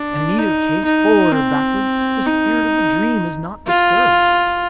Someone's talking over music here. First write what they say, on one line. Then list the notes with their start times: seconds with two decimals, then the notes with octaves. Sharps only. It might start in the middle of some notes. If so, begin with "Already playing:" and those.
And in either case, forward or backward, the spirit of the dream is not disturbed.
Already playing: D4
0.39 D#4
0.85 D#4
1.32 C4
2.26 D#4
3.67 F4